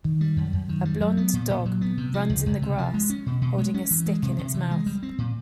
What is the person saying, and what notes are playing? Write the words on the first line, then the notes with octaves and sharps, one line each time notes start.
A blond dog runs in the grass holding a stick in its mouth.
D#3
G3
F#2
F#2
D#3
G3
F#3
B3
A#2
A#2
F#3
B3
C3
F3
C#2
C#2
C3
F3
G#3
C#4
B2
B2
G#3
C#4
E3
G#3
C3
C3
E3
G#3
G3
C4
A#2